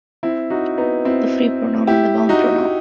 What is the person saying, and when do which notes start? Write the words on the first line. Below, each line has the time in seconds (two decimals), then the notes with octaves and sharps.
The free pronoun and the bound pronoun.
0.23 C4 E4
0.50 D#4 F#4
0.78 B3 D#4
1.05 C4 E4
1.87 E4 G4
2.29 D#4 F#4